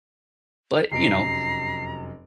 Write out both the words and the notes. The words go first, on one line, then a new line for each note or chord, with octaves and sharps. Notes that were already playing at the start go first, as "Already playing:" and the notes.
But, you know,
F1 F#2 A#5 C7 D7